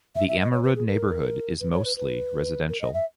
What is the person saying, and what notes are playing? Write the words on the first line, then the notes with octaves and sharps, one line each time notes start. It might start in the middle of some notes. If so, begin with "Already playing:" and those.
The Ammerud neighborhood is mostly residential.
E5
E5
D#5
C#5
B4
G#4
A#4
B4
C#5
B4
B4
A#4
D#5
E5